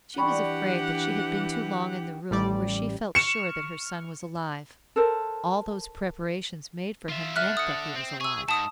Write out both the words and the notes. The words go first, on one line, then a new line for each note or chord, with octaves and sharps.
She was afraid that she had been too long in the room where she felt sure that her son was alive; all those preparations made for him meant that he was alive.
E3 G3 D4 G4 F#5 B5 C#6
A1 G3 D5
C#6 F6 C#7 E7
A4 A#4 C5
F4 E5
D3 E5 F6 F#6
D#6 C#7
C4
G#4 C#6 E6
G#2 A5 D#6